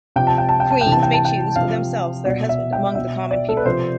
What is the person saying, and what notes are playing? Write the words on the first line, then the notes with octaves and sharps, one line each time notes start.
Queens may choose for themselves their husband among the common people.
C3 F3 G5
A5
G5
A5
G5
A5
G5
C3 E3
A5
G5
A5
G5
C3 F3 F5
B2 D5
E5
G5
B2 E5
D5
A4
B4
C3 F3 C5